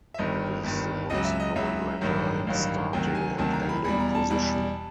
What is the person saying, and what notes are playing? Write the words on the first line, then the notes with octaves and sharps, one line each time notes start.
It is the most common letter in starting and ending position.
E5
G1 G2 D#3 D#5
G1 G2 D#3
C#2 C#3 F#3 D#5
E5
D#5
C#2 C#3 F#3 E5
A1 G2 D#3 F#3
A1 G2 D#3 F#3 F5
D2 C3 D#3 F#3 G5
G#5
D2 C3 D#3 F#3 A5
A#5
B5
E2 B2 G3 B5
A#5
A5
E2 B2 G3